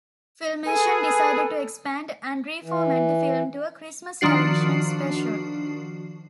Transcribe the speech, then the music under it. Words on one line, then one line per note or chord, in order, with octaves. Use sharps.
Filmation decided to expand and reformat the film to a Christmas television special.
G#4 A4 B4 G#5
E3
D#3 F3 D4 F#4 C7